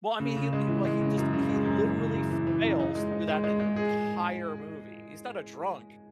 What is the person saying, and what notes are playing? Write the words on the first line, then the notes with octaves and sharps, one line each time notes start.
Well, I mean, he l he well, he just he literally fails through that entire movie. He's not a drunk,
C#3
C#3
G#3
E3
G#3
C#3
F#2
C#3
G#3
F#2
E3
C#3
F#2
E3
E3
F#2
D#4
G#3
D#4
G#3
G#3
G#3
G#4